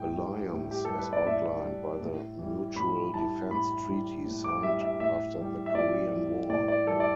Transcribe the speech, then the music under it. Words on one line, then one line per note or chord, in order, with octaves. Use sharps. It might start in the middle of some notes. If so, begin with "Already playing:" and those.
Alliance, as outlined by the Mutual Defense Treaty signed after the Korean War.
Already playing: A2 G3 G5
G3
A2
G4
G3 A4
B4
D5
A2 E5
G3
A2
E3 G3
A2 B5
E3 G3 A5
A2 B5
E3 G3
A2
D6
E3 G3 E5
E5
A2 E5
E3 G3
E5
A2 D5
E3 G3
A2 D5
D5
E3 G3 A4
D5